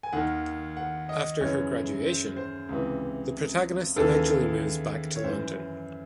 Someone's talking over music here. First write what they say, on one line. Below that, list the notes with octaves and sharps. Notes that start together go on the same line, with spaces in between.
After her graduation the protagonist eventually moves back to London.
G#5
D#2 D#3 F#5
F#5
D#5
F#2 C#3 E3 C#5
C5
C5
C#2 C3 E3
D#2 C#3 E3 A4
C#5
F#2 E3 C5